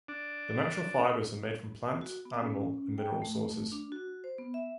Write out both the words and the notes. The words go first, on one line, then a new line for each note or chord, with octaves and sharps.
The natural fibers are made from plant, animal and mineral sources.
D4
F#4
B3
C#4
G5
A3
D4
F#4
C5
B3
E5